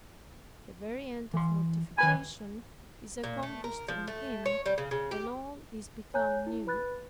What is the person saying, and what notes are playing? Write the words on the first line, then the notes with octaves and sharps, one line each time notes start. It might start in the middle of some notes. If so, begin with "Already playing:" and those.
The very end of mortification is accomplished in him, and all is become new.
E3 C6
D#3 B4 G#5 B5
A#2
A3
A#4
F3
A3
C#5
G3
C#3
C#3
G4
C#5 G#5 A#5 F#6 G6
E4
B4 B5 F#6 A6